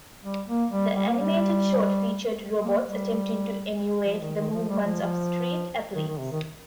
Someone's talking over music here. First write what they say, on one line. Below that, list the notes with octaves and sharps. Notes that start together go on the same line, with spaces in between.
The animated short featured robots attempting to emulate the movements of street athletes.
G3
A#3
G3
G3
A#3
G3
A#3
G3
F3
D#3
D#3
F3
G3
F3
F3
D#3
D#3
C3
D#3